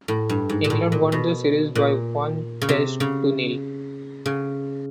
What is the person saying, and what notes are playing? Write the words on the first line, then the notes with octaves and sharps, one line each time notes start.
England won the series by one Test to nil.
A2
G2
G#2
A#2
A2
A#2
B2
A#2
C#3
C3
C#3
C#3